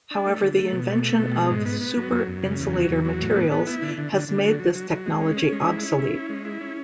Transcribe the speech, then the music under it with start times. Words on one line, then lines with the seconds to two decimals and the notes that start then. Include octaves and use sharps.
However, the invention of super insulator materials has made this technology obsolete.
0.11 D4
0.26 A3
0.42 D3
0.58 A3
0.72 B2
0.88 A3
1.04 A3
1.19 B2
1.35 G#3
1.50 G#2
1.65 B3
1.81 B3
1.97 F#3
2.11 F#2
2.27 F#2
2.43 C#3
2.59 E2
2.73 F#3
2.89 E2
3.05 F#3
3.21 A2
3.36 B3
3.52 B3
3.67 E4
3.82 D3
3.98 D3
4.13 D3
4.29 D3
4.45 F#3
4.60 F#3
4.75 F#3
4.91 F#3
5.06 G#3
5.21 C#4
5.37 C#4
5.52 G#3
5.68 E4
5.83 C#4
5.99 E4
6.15 C#4
6.29 G#3
6.45 E4
6.61 C#4